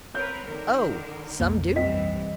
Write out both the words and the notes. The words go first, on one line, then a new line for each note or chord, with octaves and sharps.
"Oh, some do!"
C4 A#4 B4 C#5 G6
D3 D#3 A#4
B1 F2 A#3
G2 E3 C4 D#5 B6